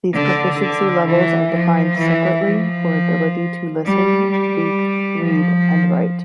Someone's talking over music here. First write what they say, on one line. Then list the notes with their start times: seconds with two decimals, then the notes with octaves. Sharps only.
These proficiency levels are defined separately for ability to listen, speak, read and write.
0.13 D3
0.59 D3
1.06 E3
1.52 F3
1.98 E3
2.45 F3
3.85 G3
4.31 G3
5.23 F3